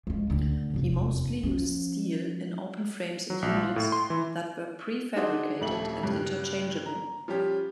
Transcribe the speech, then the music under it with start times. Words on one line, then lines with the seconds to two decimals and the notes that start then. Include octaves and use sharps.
He mostly used steel in open frames and units that were prefabricated and interchangeable.
0.07 F3 G#3
0.30 D2 D3
0.74 F1 E2
1.43 F3 C#4
3.30 F#3
3.42 A#1
3.57 F4
3.76 A2
3.92 C6
4.10 E3
5.16 D4 D#4 F#4 G#4 C5 D#5
5.61 D#1 F2 A3 F#7
6.03 G2 C#3
6.86 A#5
7.28 F3 G3 C#4 G4